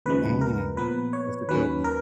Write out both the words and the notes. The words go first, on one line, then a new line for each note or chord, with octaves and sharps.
Mm. That's a good one.
D#2 C#3 F3 G#3 B4
A#4
A#2 F3 B3 B4
C#5
D#2 D#3 F#3 C#4 B4
A#4